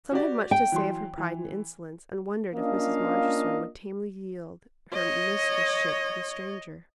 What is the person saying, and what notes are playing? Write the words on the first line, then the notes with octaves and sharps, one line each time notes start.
Some had much to say of her pride and insolence, and wondered if Mrs. Montressor would tamely yield her mistress-ship to the stranger.
F#4 G4 D5
G5
E3 F#3 C6
E3
A#3 C#4 D4 F4 D#5 F5
C#5 D#5